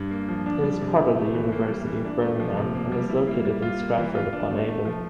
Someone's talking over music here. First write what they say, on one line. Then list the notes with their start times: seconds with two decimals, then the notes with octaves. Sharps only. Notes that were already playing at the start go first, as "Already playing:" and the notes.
It is part of the University of Birmingham, and is located in Stratford-upon-Avon.
Already playing: G2
0.11 A#3
0.28 F3
0.46 D4
0.64 G3
0.81 C3
0.99 E4
1.16 A3
1.34 E3
1.52 A#3
1.69 G3
1.86 E3
2.05 D4
2.22 A3
2.40 F3
2.57 C3
2.75 A#3
2.92 G3
3.10 E4
3.27 A#3
3.45 G3
3.62 F4
3.80 A#3
3.98 E3
4.15 F4
4.33 D4
4.50 A3
4.68 A3
4.85 F3